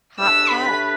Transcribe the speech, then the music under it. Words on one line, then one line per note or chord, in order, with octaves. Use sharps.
Hot pot?
A2 A3 D4 G4 B4 E6
B5